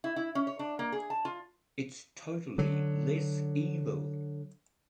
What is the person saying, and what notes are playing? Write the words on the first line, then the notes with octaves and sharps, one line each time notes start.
It’s totally less evil.
E4
E4
C#4
C#5
D4
A#3
G#4
A5
F4
D3 F#3